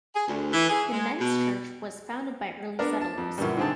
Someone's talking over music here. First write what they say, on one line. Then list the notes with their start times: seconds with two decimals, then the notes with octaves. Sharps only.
The Mentz Church was founded by early settlers.
0.15 G#4
0.28 D2
0.53 E3
0.69 G#4
0.92 G#3
1.20 B2
2.79 B3 D4 A#4
3.01 A5
3.18 F2
3.38 F#2 A#2 C#3 E3 G3
3.57 G#2 D3 C4 G#4 A5